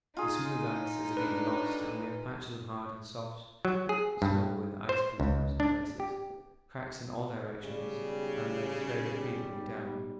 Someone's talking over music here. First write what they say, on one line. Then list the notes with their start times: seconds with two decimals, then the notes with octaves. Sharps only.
The smooth ice is again lost and we have patches of hard and soft snow with ice peeping out in places, cracks in all directions, and legs very frequently down.
0.17 D#4 F4 G#4
1.17 A2 D4 B4
3.65 F#3
3.89 G#4
4.22 G2
4.89 C5
5.20 C#2
5.60 D4
6.00 G4
7.64 B1 C#3 G3